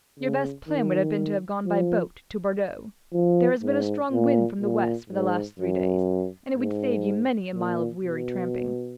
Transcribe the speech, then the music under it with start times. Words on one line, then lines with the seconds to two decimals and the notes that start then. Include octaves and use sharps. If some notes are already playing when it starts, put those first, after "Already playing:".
"Your best plan would have been to have gone by boat to Bordeaux. There has been a strong wind from the west, for the last three days, and it would save you many a mile of weary tramping."
0.20 C#3
0.68 D#3
1.66 F3
3.14 F3
3.63 G#2
4.12 A#2
4.61 A#2
5.10 G#2
5.59 F#2
6.56 G#2
7.55 A#2
8.04 B2